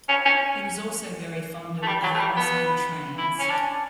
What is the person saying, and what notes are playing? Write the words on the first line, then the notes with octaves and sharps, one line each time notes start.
He was also very fond of owls and trains.
C#4
C#4
A3
G3
F#3
A3
G3
B3
E4
C#4
D4